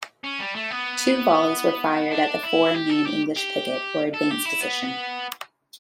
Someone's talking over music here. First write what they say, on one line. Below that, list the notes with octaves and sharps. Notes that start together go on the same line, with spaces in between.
Two volleys were fired at the four-man English picket, or advance position.
C#4
G3
A3
B3
D4
E4
G4
A4
G4
G4
A4
G4
E4
B3